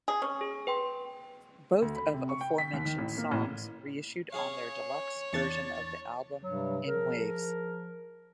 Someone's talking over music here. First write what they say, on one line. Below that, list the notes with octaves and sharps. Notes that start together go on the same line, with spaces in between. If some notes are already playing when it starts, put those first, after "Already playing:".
Both of aforementioned songs re-issued on their deluxe version of the album "In Waves".
G#4
C#4
G#4
B4 G5 C6
D2
B5
C3
C#6
G5
B6
D#2
D#3
A1
A#3
A1
C#4 G#4 C#5 F5
E2 D4 C#6 A6
G2 C3 F#3 G3
F3 G#4 A#4